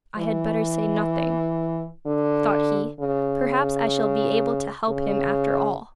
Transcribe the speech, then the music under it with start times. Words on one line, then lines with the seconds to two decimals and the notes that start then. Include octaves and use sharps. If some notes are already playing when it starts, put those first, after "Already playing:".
'I had better say nothing,' thought he; 'perhaps I shall be able to help him after all.'
0.18 E3
2.06 D3
3.00 C#3
4.88 C#3